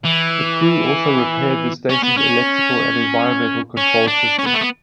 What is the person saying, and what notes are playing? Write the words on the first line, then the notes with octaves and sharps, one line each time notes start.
The crew also repaired the Station's electrical and environmental control systems.
E3
C#4
B3
C#4
C#4
D4
C#4
B3
A3
B3